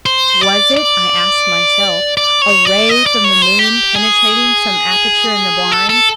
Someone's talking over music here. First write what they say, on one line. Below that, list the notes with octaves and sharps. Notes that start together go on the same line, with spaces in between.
Was it, I asked myself, a ray from the moon penetrating some aperture in the blind?
C5
D5
D5
D5
C#5
D5
D#5
D5
C#5
C5
G4
G#4
A4
A4